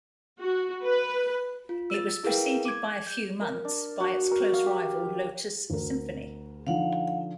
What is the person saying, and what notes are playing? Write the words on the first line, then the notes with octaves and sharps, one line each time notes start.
It was preceded by a few months by its close rival Lotus Symphony.
F#4
B4
F4
E6 A6
E4 G#4 A#4 B4 F5 G5
D6 G#6
G6
A#4
D4
F#4
A#4
F5
G4
D2 A#4
D3 F3 D#4 F5 F#5